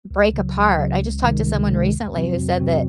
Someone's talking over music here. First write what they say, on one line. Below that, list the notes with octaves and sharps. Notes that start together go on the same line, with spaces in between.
break apart. I just talked to someone recently who said that
C#2
C#3 F#3
C#2
C#3 F#3
C#2
C3 D#3 G#3
C#2
C3 D#3 G#3
F2
C3 F#3 C4 F#4
F2
C3 F#3 C4 F#4